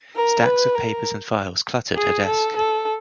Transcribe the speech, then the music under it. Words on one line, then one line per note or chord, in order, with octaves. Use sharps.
Stacks of papers and files cluttered her desk.
A#4
B4
A#4
G#4
A4
A4